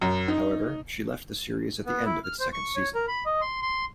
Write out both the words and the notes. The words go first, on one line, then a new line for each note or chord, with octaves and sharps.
However, she left the series at the end of its second season.
F#2
D#4
B3
E4
F6
C5
C#6
C#5
A#4
B5
D#5
C6
C6